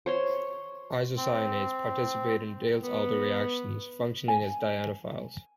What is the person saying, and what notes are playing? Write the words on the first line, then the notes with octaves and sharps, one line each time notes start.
Isocyanates participate in Diels-Alder reactions, functioning as dienophiles.
C5 C#5 C6
C4
B3
G#5